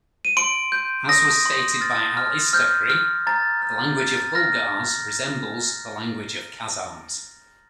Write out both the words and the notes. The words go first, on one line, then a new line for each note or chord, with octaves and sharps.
As was stated by Al-Istakhri "the language of Bulgars resembles the language of Khazars".
D#7
C6 D7
G6
D#6 A#6
C6
F6 A6
F6
F6 G6
F6
A#5 A6
F6
F6 A6
A6
F6 A#6